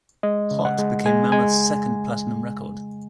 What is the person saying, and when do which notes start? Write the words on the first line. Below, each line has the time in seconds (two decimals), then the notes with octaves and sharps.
"Hot" became Mammoth's second platinum record.
0.23 G#3 D#5
0.51 C#3
0.65 F#5
0.78 G#3
1.06 G#3 G#5
1.32 G#3 G#5